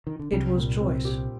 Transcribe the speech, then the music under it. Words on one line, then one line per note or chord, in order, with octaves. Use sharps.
"It was Joyce."
D#3
D3
C2 C3 G3
A#2
C4
G4